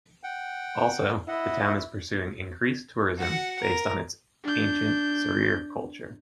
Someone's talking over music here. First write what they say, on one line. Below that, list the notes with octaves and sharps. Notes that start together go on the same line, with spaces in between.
Also, the town is pursuing increased tourism based on its ancient Serer culture.
F#5 G5
E4 D#5 F#5
F#4 F#5
A#4
D4 G6